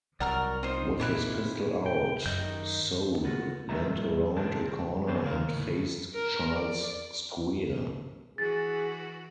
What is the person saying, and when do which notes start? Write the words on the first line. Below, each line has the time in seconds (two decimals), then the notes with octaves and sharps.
With his pistol out, Soule went around a corner and faced Charles Squier.
0.20 C2 F#3 A#4 D5 F#5 A#5 F6
0.63 C4 D#4 F4 C5
1.00 A#2 A#3 E4 F#6
1.86 G5
2.26 F#2 D#3 D#5 G6
3.24 B3 F4 F#4
3.69 A2 G3 A4 D#5 E5 A#5
4.36 C#2 A#2 F3 C4 D4 A5
5.07 D#3 B3 C4 G4 G#4 C5
5.24 C#3 A#4 F5
5.54 D2 A2
6.14 A#4
6.51 D5
8.38 E3 F#4 G#4 A6